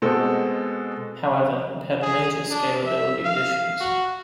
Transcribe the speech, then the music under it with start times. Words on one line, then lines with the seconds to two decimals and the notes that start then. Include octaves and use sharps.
However, it had major scalability issues.
0.02 B2 G#3 C4 F#4 A4
2.02 G#4
2.51 D4
2.86 E5
3.25 F5
3.81 F#4